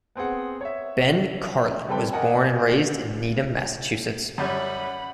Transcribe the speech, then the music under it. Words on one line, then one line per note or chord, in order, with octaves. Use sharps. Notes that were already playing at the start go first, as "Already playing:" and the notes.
Ben Karlin was born and raised in Needham, Massachusetts.
B3 C4 G#4 F#5
C#5 E5
G3 C4 A4 B4 G5
A#4 D5 D#5 F#5 G#5
F#2 G3 C#4 F#5 B5